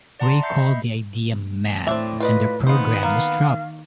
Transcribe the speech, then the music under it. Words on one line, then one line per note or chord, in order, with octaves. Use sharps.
Ray called the idea "mad", and the programme was dropped.
D5 F#5 A5 A#5 C6
E5 G6 C7 C#7
D#5 B5
A2 C4 D4 E5 D6
F4 B4 D5 D#5
D#3 B3 D#4 C5 F5
A#3 F5